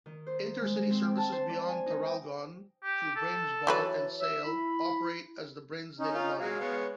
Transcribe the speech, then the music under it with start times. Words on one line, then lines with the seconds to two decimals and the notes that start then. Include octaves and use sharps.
Intercity services beyond Traralgon to Bairnsdale and Sale operate as the Bairnsdale Line.
0.06 D#3
0.27 C5
0.61 G#3
0.76 G#3
0.90 C4
1.04 G5
1.17 A5
1.32 C5
1.49 D5
1.68 G#5
1.86 D#4
2.05 G5
2.84 G4
3.16 A4
3.67 E3 F#3 B4 C#5
4.21 E5
4.44 E4 B5
5.99 C#4 D#4
6.15 F4
6.40 F#3 G#3 F5
6.60 G#3 B3 C#5